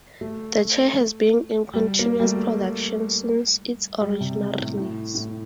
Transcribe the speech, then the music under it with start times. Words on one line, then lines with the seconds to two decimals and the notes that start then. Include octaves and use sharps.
The chair has been in continuous production since its original release.
0.21 A3
1.74 G3
1.99 A#3
2.20 G3
2.24 A3
4.01 G3
4.21 C3
4.58 A2
4.77 A2
5.15 A2